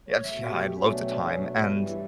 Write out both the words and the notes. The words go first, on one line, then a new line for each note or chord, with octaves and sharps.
yeah, I had loads of time. And
C#5
B2 A3 E5
F#4
G4
B2 F#3 A3 C#4
D4
D4
B2 F#3 A3 C#4
D4
D4
G2 E3 G3
E4